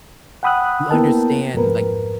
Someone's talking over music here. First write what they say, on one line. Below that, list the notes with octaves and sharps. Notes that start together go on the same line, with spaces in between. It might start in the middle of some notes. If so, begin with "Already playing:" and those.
you understand, like,
F#5 G5 B5 D#6 E6 F#6
A#3 B3 E4 A#4 G5 A5
F2 G#2 A#4 B4